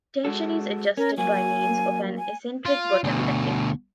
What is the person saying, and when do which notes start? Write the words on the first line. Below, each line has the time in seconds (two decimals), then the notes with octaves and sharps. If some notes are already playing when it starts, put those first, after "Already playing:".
Tension is adjusted by means of an eccentric bottom bracket.
0.25 G#3 F#4 A4
0.97 C#4 A#4
1.18 F#3 A#3 G#5
2.18 G#5
2.65 F4
3.04 D2 B2